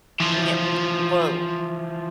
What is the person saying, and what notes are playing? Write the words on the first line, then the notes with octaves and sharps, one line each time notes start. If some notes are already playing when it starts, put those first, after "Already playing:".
Yeah we well,
E3 F3